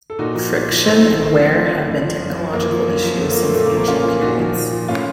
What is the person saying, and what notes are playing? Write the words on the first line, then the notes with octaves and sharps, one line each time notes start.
Friction and wear have been technological issues since ancient periods.
A4
A#2 D#4 F#4
F3 D#4 F#4
A#2
F3
A2 A4 C5
C4 D#4
F3
A2 A3 C4
F3
A2
F3
A2
F3
F#2
F3
F#2 A#3
F3
F#2
F3
F#2 A3
A#3
F3
A3 C4
A#2 A3
A#3
F3
A#3
A#2 C#4 F4
F3
A#2 D#4 F#4
F3
A#2
F3
A2 C#4 F4